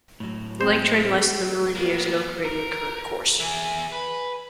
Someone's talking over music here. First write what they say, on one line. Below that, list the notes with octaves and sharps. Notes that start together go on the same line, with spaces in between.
The lake drained less than a million years ago, creating the current course.
A2 F#3
C4 C5
A#3 B3
A#4
E3 G#4
B4